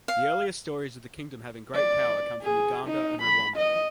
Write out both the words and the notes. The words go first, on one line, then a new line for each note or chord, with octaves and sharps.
The earliest stories of the kingdom having great power come from Uganda and Rwanda.
F5
D5
G#4
D#4
B5
D#5